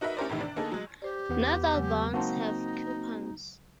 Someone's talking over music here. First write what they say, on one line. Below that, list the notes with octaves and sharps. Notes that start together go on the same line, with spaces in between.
Not all bonds have coupons.
D#4 F#4 A#4 B4 E5
C#4 E4 G4 A#4 C5 D5
E2 A2 C3 D#3
D4
D3 A#3 D#4 G#4 A4
F#3 G#3
G4 C5 D5
E2 B3
C#3 F#3 G#3
A#3 C4 D#4 F#4 F#5 A5 C6